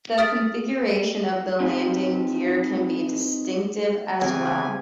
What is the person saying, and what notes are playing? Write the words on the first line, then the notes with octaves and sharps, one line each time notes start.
The configuration of the landing gear can be distinctive, as well.
D#6 F6 A6 B6 D7
C4 D#4 G4 B4 G#5
C#3 E3 C4 G4 G#5